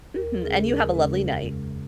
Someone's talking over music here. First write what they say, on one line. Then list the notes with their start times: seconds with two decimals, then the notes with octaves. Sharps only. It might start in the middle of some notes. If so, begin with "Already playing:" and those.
Mhm, and you have a lovely night.
0.15 D#2 A#4
0.42 C#3 G#3 C#4 G#4
0.69 D#2 A#4
0.95 C#3 G#3 C#4
1.21 F2
1.47 C#3 G#3